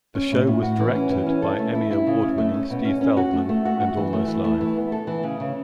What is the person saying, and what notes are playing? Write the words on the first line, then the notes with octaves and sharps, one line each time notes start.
The show was directed by Emmy Award-winning, Steve Feldman and Almost Live!
C#4
A2
A2
F#4
E3
C#4
E3
C#4
A4
A3
E4
E4
C#3
C#4
A3
C#4
B2
C#4
C#4
F#4
A3
A3
F#4
F#4
E3
A3
E3
A3
E3
B3
A4
E3
C#3
C#3